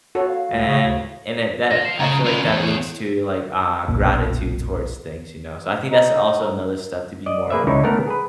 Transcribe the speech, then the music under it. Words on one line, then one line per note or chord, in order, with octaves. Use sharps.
And and at that I feel like that leads to, like, uh, gratitude towards things, you know. So, I think that's also another step to be more,
F#4 A4 C#5
F5
C#2
C#3
D2
F3 F4 A#6
C7 E7
C#3 C#4 A#5
C#4 E4 F4
E2 A4
G#4 C#5
F#1 B1 A#2
D#4
D5 D#5
A#3 G#4 B4 D5 E5
C#2 D3 D#4 E4 C#5
A3 B3 A4 A#4
G#4 B4